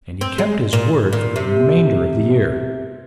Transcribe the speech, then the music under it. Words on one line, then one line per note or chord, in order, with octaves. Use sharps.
And he kept his word for the remainder of the year.
C4
G#3
A#2
A#2
C3